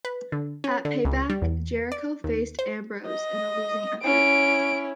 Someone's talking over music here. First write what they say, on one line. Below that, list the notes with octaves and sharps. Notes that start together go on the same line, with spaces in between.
At Payback, Jericho faced Ambrose in a losing effort.
B4
D3
C#4
D3
C#2
G3
E2
D5
D#2
C5
D#5
C#4 E4 D7